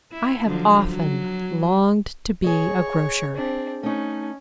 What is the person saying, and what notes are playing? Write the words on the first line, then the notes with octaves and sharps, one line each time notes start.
I have often longed to be a grocer.
E4
D3 F3 F#3
F#3
G#4 C#5 D#5
C4 D4
A3 C#4 D#4